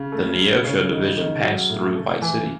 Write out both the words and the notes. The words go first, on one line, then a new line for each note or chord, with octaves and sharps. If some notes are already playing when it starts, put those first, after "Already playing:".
The Neosho division passed through White City.
Already playing: C#3
A3
A3
C#3 C#4
D#3
D#3
F#3
A2
A3
E3